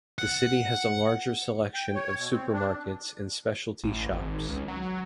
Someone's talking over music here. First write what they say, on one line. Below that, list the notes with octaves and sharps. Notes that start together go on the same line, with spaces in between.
The city has a larger selection of supermarkets and specialty shops.
F#5
G5
C#5
B2
C4
D4
A1
G#1
C#2
F#3